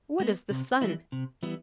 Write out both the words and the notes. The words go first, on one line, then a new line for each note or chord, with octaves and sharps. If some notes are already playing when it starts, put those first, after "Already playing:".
What is the sun?
G#3 B3
C3
E3 G3 B3 E4
C3
E3 G3 B3 E4